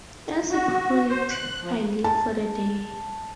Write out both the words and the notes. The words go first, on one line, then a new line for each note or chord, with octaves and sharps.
As he put it, I live for the day.
F#4
C5
F#6
F3
A5